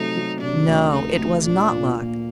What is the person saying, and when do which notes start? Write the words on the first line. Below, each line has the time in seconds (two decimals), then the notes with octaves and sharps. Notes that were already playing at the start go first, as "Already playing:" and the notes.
No, it was not luck.
Already playing: C3 F#3 A3 D#4
0.16 F#3
0.42 C3 D4
0.67 D2
0.93 A3 D#4
1.18 D2
1.44 A#2 D4
1.70 A#2
1.95 A#2 A#3